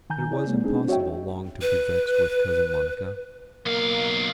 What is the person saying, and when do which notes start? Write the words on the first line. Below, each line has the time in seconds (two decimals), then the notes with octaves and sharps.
But it was impossible long to be vexed with Cousin Monica.
0.10 D#3 G#5 A#5 G6
0.31 E4 G#4 C#5 D5
0.47 G3 A3 B3
0.64 C4 D4 D#4 G#4
0.88 F#4 C#5 D#5 E5 G5
1.62 B4
3.66 B1 A#3 F5